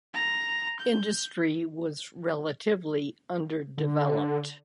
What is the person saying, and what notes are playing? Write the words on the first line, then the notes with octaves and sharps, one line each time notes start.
Industry was relatively underdeveloped.
A#5
G6
D3